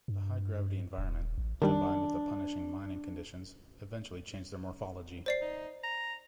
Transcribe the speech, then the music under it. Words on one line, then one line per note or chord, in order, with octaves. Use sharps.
The high gravity environment, combined with the punishing mining conditions eventually changed their morphology.
G2
D#1
A1
D#3 G3 D4
C5 D5 C7
D#4
A#5